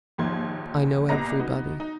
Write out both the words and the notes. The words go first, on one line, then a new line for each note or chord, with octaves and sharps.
I know everybody.
A#1 D#2 G#2 F3 C6 G#6
C2 A#2 B3 D#5 A#5 A#6
B3 D#4 F#4
D#4